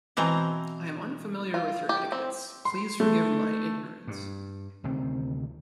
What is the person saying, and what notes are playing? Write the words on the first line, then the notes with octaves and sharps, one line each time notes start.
I am unfamiliar with your etiquettes, please forgive my ignorance.
B2 E3 C4 A#5
F4
G4
C4
C6
A3
G2
D2 C3 D#3 C4